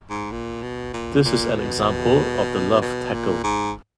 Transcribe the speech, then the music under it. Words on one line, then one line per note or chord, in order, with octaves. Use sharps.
This is an example of the Luff tackle.
G#2
A#2
B2
A#2
A#2
B2
B2
A#2
G#2